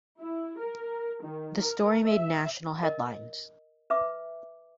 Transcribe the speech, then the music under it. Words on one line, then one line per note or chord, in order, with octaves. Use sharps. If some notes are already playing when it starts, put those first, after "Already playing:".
The story made national headlines.
E4
A#4
D#3
A#4
E5
A#4 D#5
B4 E5 D6